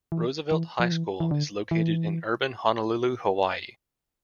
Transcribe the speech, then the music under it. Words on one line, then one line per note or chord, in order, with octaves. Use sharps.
Roosevelt High School is located in urban Honolulu, Hawaii.
E3
E3
F3
E3
E3
D3
E3